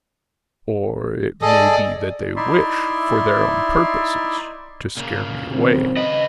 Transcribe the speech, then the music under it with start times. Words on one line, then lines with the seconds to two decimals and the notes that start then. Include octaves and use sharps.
"Or it may be that they wish, for their own purposes, to scare me away."
1.42 G#4 A4 D5 D#5
2.36 D#4 E4 D5 E5 C6
4.97 A#2 C#3 A#3
5.53 D#3 F#3 C4
5.97 C#3 B4 D#5